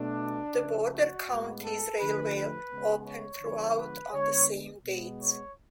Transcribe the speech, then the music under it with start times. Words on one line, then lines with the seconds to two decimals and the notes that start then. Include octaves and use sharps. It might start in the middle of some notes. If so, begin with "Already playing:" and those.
The Border Counties Railway opened throughout on the same dates.
Already playing: B2 A3 D4
0.56 C#3 F3 A3
0.92 F#4
1.28 A2 G#3 B3
1.64 A4
1.99 D3 F3 A3 B4
2.35 B4
2.71 C#3 G#3 B3
3.06 C#5
3.42 D3 F3 G#3 B3
3.78 B4
4.14 D3 G#3 B3 C#5
4.85 B2 G#3 B3
5.21 C#5